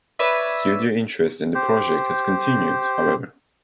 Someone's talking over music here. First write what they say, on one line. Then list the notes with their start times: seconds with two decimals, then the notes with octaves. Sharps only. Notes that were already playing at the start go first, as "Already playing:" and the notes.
Studio interest in the project has continued, however.
0.19 B4 C#5 D5 E5
1.55 G4 C5